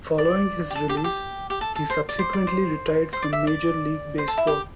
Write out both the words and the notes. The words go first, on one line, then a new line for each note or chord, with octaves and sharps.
Following his release, he subsequently retired from major league baseball.
D5
G4
A4
G4
A4
G4
G4
A4
A4
C5
D5
C5
D5
C5
C5
D5
E5
D5
C5
A4
E4
G4